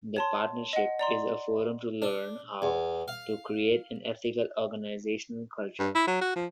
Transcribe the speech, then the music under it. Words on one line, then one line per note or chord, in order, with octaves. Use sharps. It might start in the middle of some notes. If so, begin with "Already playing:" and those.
The partnership is a forum to learn how to create an ethical organizational culture.
C#5 A5 C6
D#5 F#5
D5 A#5 C6
D4
E2
F5
G2
E4
F#3
F#4
F3